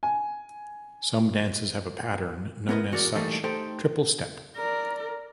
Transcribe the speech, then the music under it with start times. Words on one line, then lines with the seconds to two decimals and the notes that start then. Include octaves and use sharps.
Some dances have a pattern known as such: "triple step".
0.03 G#5
2.69 B3 E4 A#4 B4 D#5
2.92 E2 F#4 A#4 D5
3.15 E3 G3 A3 A#3 D#4 A4
3.44 A3 D#4 G4 A4 C5 G5
4.56 A#4 D5